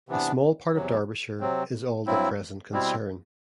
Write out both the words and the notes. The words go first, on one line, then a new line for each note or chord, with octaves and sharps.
A small part of Derbyshire is all the present concern.
C3 E3 B3 D4
E2 C3 F#3
C3 F#3 C4
G2 F#3 C4 E4
B2 G3 C4 E4